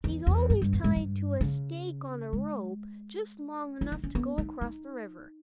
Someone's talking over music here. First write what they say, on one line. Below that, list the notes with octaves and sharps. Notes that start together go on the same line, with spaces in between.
He's always tied to a stake on a rope just long enough to go across the river.
E2
E2
G2
G2
E2
G#2
G2
C#3
G#3
E4
D#4
C#4
B3
D#4
D#4